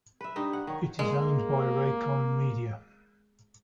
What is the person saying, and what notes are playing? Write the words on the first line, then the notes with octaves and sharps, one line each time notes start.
It is owned by Raycom Media.
B4 E5
G2 D#4 G4
F#5
D#3 C#5
G#3 A#3